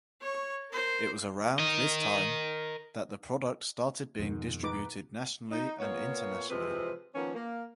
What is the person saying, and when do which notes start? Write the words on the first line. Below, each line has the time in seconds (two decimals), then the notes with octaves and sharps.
It was around this time that the product started being distributed nationally and internationally.
0.21 C#5 C#6
0.70 A#4 C5
1.59 A#4 D#5
4.19 F2 G#2 B2 D#3
4.63 D#4 B4 D6
5.51 D#4
5.79 A#2 A#3 B3 C#5
6.49 C3 E3 F3 G#3 C4 B4
7.14 D#3 F3 A#3 B3 C#4
7.34 A#3